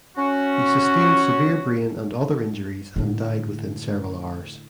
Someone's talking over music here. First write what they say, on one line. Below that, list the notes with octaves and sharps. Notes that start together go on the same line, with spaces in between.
He sustained severe brain and other injuries and died within several hours.
C#4 F#4
A2 D3